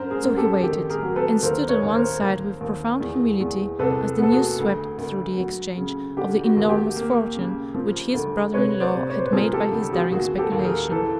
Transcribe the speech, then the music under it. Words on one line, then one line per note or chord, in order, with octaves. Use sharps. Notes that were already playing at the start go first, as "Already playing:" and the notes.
So he waited, and stood on one side with profound humility, as the news swept through the Exchange, of the enormous fortune which his brother-in-law had made by his daring speculation.
Already playing: F#2 D3 A#4 C5
G#4 A#4
F#2
G4 A4
D#3 G4
G#4 A#4
F#3
A4 B4
D#2 A#4 C5
B4 C#5
D#2
A#4 C5
D#2
D#2
E2
E2
C2 A4 B4
B3 A4
F#4 G#4
D2
D2
F#3
C#3
D3 G4
F#4
D#2
G4
A#3
C#3
F3
D2
C3 B4 C#5
C5 D5
C3
C#5
C5
B4
F3 G#4 A#4
G4 A4
D2
F#4 G#4
D#2 F#4 G#4
G4 A4
D#2
G#4 A#4
E3 A4 B4